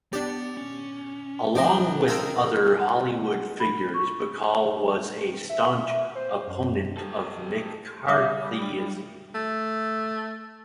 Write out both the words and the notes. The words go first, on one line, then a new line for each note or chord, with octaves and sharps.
Along with other Hollywood figures, Bacall was a staunch opponent of McCarthyism.
B3 D4 G4 D5
C#4
F3 C#4 C5 D#5 A5 D6
D#4 F4 A#4 G5 E6 A#6
F#5
B5
C#6
E5
C5
F#2
G4 A4
G3 C#5 E5 D6 D#6
A3